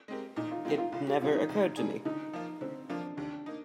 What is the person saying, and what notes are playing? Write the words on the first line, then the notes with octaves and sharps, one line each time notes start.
It never occurred to me.
G#3 C4 G4 A#4
A#2 D#4
F4
G#3 C4 F4 G4 A#4
F4
C2 F4
G4
C3 G3 D4 F4 G#4
D#4
C2
C3 G3 D4 G#4
D3 D#4
F3 A#3 F4
D3 C4
F3 A#3 D4 F4
D#2 D4
A#3 D#4